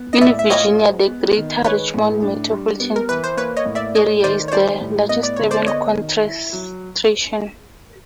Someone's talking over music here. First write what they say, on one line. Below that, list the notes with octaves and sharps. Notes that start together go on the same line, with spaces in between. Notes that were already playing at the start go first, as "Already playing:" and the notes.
In Virginia, the Greater Richmond metropolitan area is the largest urban concentration.
Already playing: B3
D#5
A2 D5 E5
E5
F4 C#5 D#5
G#3
B3
D#3
G#3 B4 C#5
A2
D4
G3
B3
A#4
E3 B4
C5
A#3 B4 C#5
C#5 D#5
A2
D5 E5
A3 C#5 D#5
D#3 C5 D5
C#5
G3 C5 D5
A2
B3 D#5
D5
D3 C#5
C5 D5
B3 C#5 D#5
D#3
E4
F#3